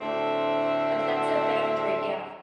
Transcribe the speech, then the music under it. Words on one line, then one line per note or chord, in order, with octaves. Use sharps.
Like, that's a boundary, yeah.
D2 A2 C4 D4 A4 E5